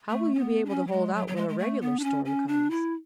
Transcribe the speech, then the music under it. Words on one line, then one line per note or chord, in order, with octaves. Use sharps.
How will you be able to hold out when a regular storm comes?
A3
C#4
B3
D4
C#4
F#3
G#3
F#3
F#3
G#3
G#3
A3
B3
D4
C#4
C#4
D4
E4